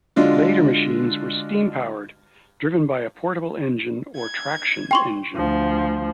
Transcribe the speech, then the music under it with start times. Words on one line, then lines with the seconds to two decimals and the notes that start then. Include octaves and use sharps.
Later machines were steam-powered, driven by a portable engine or traction engine.
0.16 D3 G#3 D4 F4 F#4
4.15 G#6
4.91 G5 C6 C#6
5.36 D2 F3